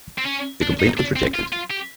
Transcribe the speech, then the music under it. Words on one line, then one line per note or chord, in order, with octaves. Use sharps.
The complaint was rejected.
C4
C#4
D4
D#4
D4
C4
F4
F4
G4